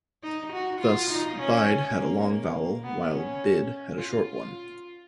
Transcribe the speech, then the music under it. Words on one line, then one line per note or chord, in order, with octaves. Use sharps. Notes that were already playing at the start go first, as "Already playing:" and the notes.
Thus "bide" had a long vowel, while "bid" had a short one.
D#4
F#4
F4
D#4
C#4
A#3
A#3
B3
C#4
F4
F4